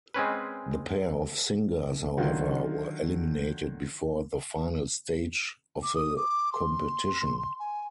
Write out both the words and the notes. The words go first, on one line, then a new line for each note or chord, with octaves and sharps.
The pair of singers, however, were eliminated before the final stage of the competition.
G#3 C4 C#4 B4
D3 D#3 F#3 F4
D6
D#6
D6
C6
G#5